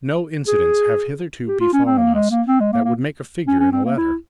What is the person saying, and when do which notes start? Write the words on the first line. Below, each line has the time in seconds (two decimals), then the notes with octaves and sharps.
No incidents have hitherto befallen us that would make a figure in a letter.
0.48 G#4
1.48 G4
1.60 F4
1.73 C#4
1.86 C4
1.98 A#3
2.15 G#3
2.31 A#3
2.48 C4
2.60 G#3
2.73 A#3
2.85 A#3
3.48 C#4
3.60 C#4
3.72 C4
3.85 A#3
3.97 E4